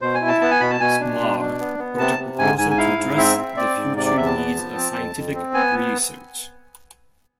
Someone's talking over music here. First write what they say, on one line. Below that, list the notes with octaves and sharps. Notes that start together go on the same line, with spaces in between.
Smarr wrote a proposal to address the future needs of scientific research.
B2 C5
G#5
E4
A5
B3 A5
G#5
B2 B5
A5
B2 G#5
D4
B2
D4
B3
B3
C3 A5
C3
G#2 G#5
G#2 G#5
G#5
E4 F5
G#2
C4 E5
C4
C4 D5
G#2
C3 D5
D5
E2 E5
A5
B3
F3
C4
F2
F2
C4
B3 G#5